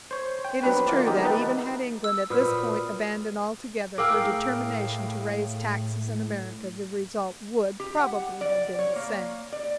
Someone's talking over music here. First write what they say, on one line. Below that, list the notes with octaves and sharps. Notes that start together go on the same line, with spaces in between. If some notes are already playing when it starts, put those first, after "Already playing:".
It is true that even had England at this point abandoned altogether her determination to raise taxes in America the result would probably have been the same.
C5 C#5
G5
F#3 B3 C4 D4 B4
D#3 A#3 B3 F4 D5
G#3 D#4 G4 A#4
E3 B3 D#4 B4 E5 A5
E6
A#2 F#4 B4 C5 D#6 F6
A2 G#4 A#4 F5 G5 D6 E6 F6
G4
F#5
D5
C#5
A#3
D5